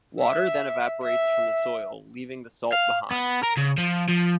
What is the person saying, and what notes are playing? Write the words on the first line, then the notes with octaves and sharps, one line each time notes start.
Water then evaporates from the soil leaving the salt behind.
E5
E5
F5
B3
A#4
C#3
F3
F3